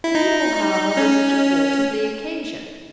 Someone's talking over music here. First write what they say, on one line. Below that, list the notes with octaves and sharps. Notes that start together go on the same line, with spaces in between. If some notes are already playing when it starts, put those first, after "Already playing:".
Mabel, however, was equal to the occasion.
E4
D#4
C#4